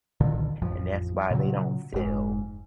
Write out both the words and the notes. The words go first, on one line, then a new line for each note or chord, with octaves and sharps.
and that's why they don't sell
C2 A#2 D3 D#3
A1 F2 F3
A#2 C#3 F#3
F1 G#2